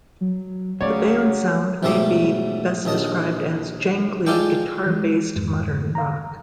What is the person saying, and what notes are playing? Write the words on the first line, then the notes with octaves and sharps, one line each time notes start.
The band's sound may be best described as jangly guitar-based modern rock.
F#3
C#3 F#3 A3 C#5 D5
B1 G#2 G3 A3 A4 D6
A#1 D#2 D#5 A5
G#3 F4 G4 A4 D5 G5
E3 G#3
F2 G#2
F5 A#5